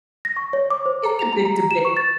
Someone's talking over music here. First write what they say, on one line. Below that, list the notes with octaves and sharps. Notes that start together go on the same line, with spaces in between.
It's a big debate.
A#6
C#6
C#5
D6
C5
A#5
F7
A#5
A#5
E7
C#6
A6